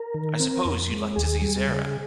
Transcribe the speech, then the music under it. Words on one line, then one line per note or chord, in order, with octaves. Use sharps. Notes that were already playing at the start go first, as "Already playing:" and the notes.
I suppose you’d like to see Zara.
Already playing: A#4
D#3
C4
F2
G#3
D#2 G#4
G3
C#3